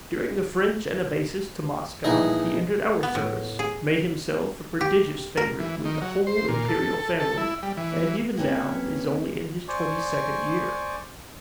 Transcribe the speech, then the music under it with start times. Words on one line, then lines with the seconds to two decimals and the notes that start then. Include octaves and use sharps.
During the French anabasis to Moscow he entered our service, made himself a prodigious favorite with the whole imperial family, and even now is only in his twenty-second year.
2.04 A#1 E3 D#4 G#4 D#5
3.03 B3
3.15 A2
3.59 G#4
4.81 G4
5.37 A#4
5.60 E3
5.85 D#3
6.02 F#3
6.27 C5
6.48 A#2
6.68 A4
7.20 A4
7.37 E4
7.63 G3
7.77 E3
8.37 A#3 C4 C#4 B4 C#5
9.68 C5 D5 G#5 C#6